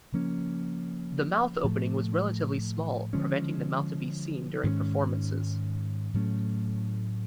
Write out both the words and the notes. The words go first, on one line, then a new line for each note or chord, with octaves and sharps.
The mouth opening was relatively small, preventing the mouth to be seen during performances.
C#3 F3 A#3 C#4
A2 F3 A3
D3 F3 G#3 C#4
G#2 D#3 G#3 C#4
A2 F#3 A3 C#4